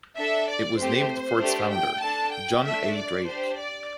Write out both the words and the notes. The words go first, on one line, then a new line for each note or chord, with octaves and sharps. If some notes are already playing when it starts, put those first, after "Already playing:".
It was named for its founder, John A. Drake.
D4 A4 E5
D5
A3 C4 G4 C5
A3 D4 G4
G5
D4 A4 A5
G5
A3 D4 A4 E5
D5
D4 G4 C5
D5